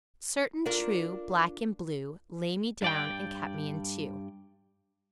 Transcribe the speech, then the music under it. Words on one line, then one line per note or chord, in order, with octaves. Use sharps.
Certain, true, Black and blue, Lay me down and cut me in two.
D4 F4 A#4
G2 D5 G5